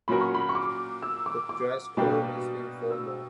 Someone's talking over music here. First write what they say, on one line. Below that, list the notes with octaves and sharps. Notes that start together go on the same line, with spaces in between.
The dress code is informal.
A#2 F#3 C#4 F#4 A#4 B5
C#6
B5
C#6
D6
E6
D6
D6
B2 G3 A#3 D4 G4
E6